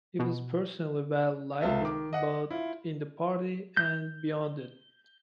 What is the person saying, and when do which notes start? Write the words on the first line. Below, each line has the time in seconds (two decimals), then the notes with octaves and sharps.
He was personally well-liked, both in the party and beyond it.
0.19 B2
1.61 C#2 C3 F4 A4 E5
1.81 D#3 D6
2.13 D#5 F#5
2.51 E4 F4
3.77 G6